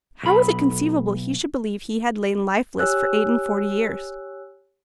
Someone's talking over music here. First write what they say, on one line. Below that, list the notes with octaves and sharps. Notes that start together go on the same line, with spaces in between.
How was it conceivable he should believe he had lain lifeless for eight-and-forty years?
B1 B5
G4 C#5 G#5 E6 F#6